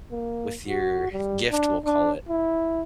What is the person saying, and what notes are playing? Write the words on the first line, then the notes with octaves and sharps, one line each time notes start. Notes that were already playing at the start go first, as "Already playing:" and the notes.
with your gift, we'll call it?
A#3
F#4
G3
D4
D4
E4